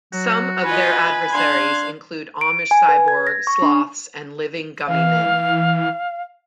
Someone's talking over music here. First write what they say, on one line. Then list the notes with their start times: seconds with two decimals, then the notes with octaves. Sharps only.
Some of their adversaries include Amish cyborg, sloths and living gummi men.
0.13 F#3 F#4
0.65 F4 B4 D#5 G#5 B5
1.33 D4 F5 C6 F#6 G#6
2.41 D7
2.71 G#5
2.89 B4
3.08 G#6
3.27 A#6
3.47 C#6
3.62 D4
4.88 E3 F5